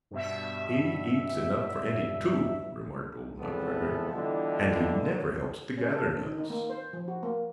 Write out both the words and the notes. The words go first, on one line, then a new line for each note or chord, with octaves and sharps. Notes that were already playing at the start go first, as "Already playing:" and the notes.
"He eats enough for any two," remarked old Nutcracker, "and he never helps to gather nuts."
G2 B2 E5
G#1 E2 C3 F3 B3 A4
B2 D3 E3 G3 E4 F4
C#4
A4
D#3
D#4
A#3
C5
F3
F#4
A#3